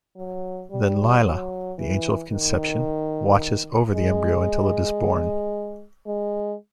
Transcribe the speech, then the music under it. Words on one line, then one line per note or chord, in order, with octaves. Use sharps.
Then Lailah, the Angel of Conception, watches over the embryo until it is born.
F#3
G3
F#3
E3
D#3
G#3
G#3